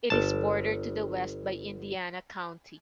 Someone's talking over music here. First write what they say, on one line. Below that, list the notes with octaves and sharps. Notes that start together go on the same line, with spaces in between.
It is bordered to the west by Indiana County.
G1 A5